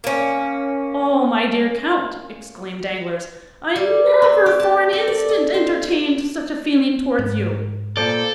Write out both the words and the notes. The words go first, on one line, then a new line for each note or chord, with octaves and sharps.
"Oh, my dear count," exclaimed Danglars, "I never for an instant entertained such a feeling towards you."
A#3 C#4
G3
C4
G4
A5
A4
D5
D#5
C5
B5
G#2
A#2 A4 C5 D5